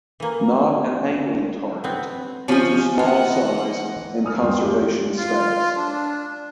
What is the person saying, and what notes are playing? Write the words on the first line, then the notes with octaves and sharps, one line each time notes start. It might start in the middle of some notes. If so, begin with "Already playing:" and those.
Not an angling target due to small size and conservation status.
E3 A#3
B3 C4
F3 C#4 D5 D#5
E3 A#3 B3 F4 C#5 D#5 F#5
G#5 D#6 F6
E2 G2 C4 C5 G5 C6
F4 G4 D6
F4
D4